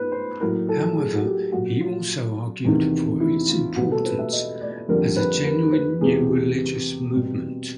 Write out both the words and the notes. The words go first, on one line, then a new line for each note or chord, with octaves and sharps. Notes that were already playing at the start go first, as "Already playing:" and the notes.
However, he also argued for its importance as a genuine new religious movement.
Already playing: G#2 B3 B4
C5
A2 F#3 A#3 A#4
A4
G#4
F#4
G4
A#2 F#3 A#3 F#4
F4
E2 C3 D#3
E4
F4
B2 G3 B3 F#4
A4
B4
E5
D#5
D5
F2 D3 G3 A#3 A#4
B4
A#4
B4
E2 C3 E3 G#3 G#4
G4
B2 G3 C4